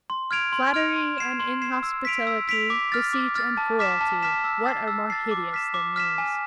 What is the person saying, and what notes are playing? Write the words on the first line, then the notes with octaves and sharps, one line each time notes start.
Flattery and inhospitality, deceit and cruelty,--what are more hideous than these?
C6
F6 G#6 D7 F7
C6
F6 G#6 D7 F7
C6
G#6 C7 E7
C6
G#6 C7 E7
E6
B6 D7 F7
E6
B6 D7 F7
D6
F6 A6
D6
F6 A6
A5
D6 F6 B6 E7
A5
D6 F6 B6 E7
E6
A6 C7
E6
A6 C7
D6
F6 B6 E7
D6
F6 B6 E7
G#5